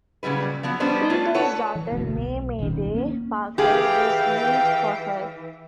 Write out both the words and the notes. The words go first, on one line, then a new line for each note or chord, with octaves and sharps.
Peter's daughter, May "Mayday" Parker, was named for her.
A#2 C#3 F#3 G3 B4
F3 F#3 B3
G3 B3 C#4 D4 B4 C5
A3 F4 B4 C#5
A4 B4 C#5 F#5 A5
E3
F#1 D2 B2
B1
D1 B1 D#3 C#4
A#3 B3 C#4
E3 G4 G#4 F5 G5